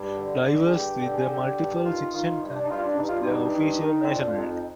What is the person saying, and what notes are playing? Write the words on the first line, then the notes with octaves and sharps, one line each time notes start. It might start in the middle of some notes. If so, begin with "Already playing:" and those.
Drivers with multiple citizenship choose their "official" nationality.
Already playing: G2
D3
D3
G#4
G2 G4
D3 G4
G#4
D3 G4
G2
D#3 F4
D#3 F4
G2
D4
D#4
G2 F4
D4
G2 D#4
F4
G2 D#4
G2
D#3
C4
F2 D4
F4
F2 D#4